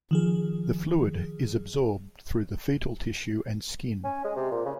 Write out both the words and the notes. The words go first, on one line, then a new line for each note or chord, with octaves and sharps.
The fluid is absorbed through the fetal tissue and skin.
D#3 F3 G#4
C#4
G#3
C3
A#2
C#3